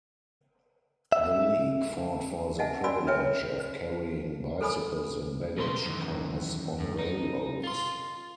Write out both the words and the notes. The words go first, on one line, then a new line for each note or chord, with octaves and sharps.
The League fought for the privilege of carrying bicycles in baggage cars on railroads.
E5
D#5 E5 F#5 G#5 A5
C#4 F#4 D5 G#5 B5 E6
A#4 B4 C#5 E5 G5 G#5
C5
A4 A#4 C5 G#5 B5 D#6
B2 A3 D#4 A#4 D5 C6
F#2 D#3 E3
F#2
D#4
F4 C6